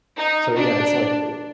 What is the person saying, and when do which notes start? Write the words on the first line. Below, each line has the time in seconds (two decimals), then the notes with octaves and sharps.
so, yeah, it's, like, eh,
0.17 D#4
0.56 D4